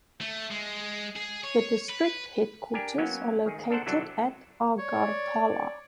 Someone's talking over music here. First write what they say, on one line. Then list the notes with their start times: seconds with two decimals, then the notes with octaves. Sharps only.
The district headquarters are located at Agartala.
0.21 A3
0.51 G#3
1.16 G#4
1.44 C#5
1.89 B4
2.74 D4 G4 A#4 G#5
2.98 F#3 A#3 B3 C#4
3.46 D#3 G#4
3.70 D4 A4 A#4 C5 F#5
3.86 C3 E3 F#3 G3 D4 A4
4.79 C#5 D5